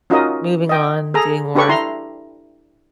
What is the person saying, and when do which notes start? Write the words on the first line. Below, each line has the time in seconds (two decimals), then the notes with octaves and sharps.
moving on, doing more
0.10 C#4 D#4 F4 F#4 A#4 D#5
0.69 D#5 G5
1.14 G#4 A4 A#5
1.55 D4 G4 A4 B4 C#6
1.69 E4 A#5 C6